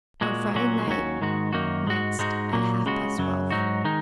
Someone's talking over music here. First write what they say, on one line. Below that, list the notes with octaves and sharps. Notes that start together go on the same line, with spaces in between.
'On Friday night, next, at half-past twelve.'
A#2 G#3 F#4
A#2 F#3 C#4 F#4
D#2 D#3 F#3 C#4 F#4
G#2 D#3 G#3 F#4
F#2 D#3 A#3 D#4 F#4
G#2 G#3 F#4
G#2 G#3 D#4 F#4
A#2 F#3 A#3
C#2 C#3 G#3 F#4
F#2 C#3 F#3
G#2 F#3 D#4 F#4
D#3 G#3 D#4